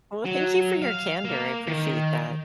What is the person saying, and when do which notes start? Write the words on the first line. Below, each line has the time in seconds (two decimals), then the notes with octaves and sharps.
Well, thank you for your candor, appreciate that.
0.25 F#3
0.82 F5
1.25 A#3
1.67 D#3